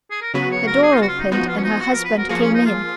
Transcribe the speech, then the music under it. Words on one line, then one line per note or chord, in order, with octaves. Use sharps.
The door opened and her husband came in.
G#4
A#4
C#3 F#3 B3 F#4 B4
C#5
A#4
G#4
D#4
F4
F#4
F4
D#4
F3 B3 D#4 F#4
F4
C#4
D#4
F#4
A#4
B4
A#4
F3 A#3 F4 F#4 G#4
C#4
D#4
F4